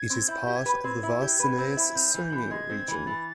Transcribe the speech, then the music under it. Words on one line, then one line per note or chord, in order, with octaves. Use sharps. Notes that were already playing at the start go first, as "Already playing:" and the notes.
It is part of the Varsinais-Suomi region.
Already playing: G#6
C4
E4 G6
G4
G#6
B4
C4 G#6
E4
G4
B4
C4
E4
C4 G6
E3
E3
G#3 G#6
C4
E3
E3 A6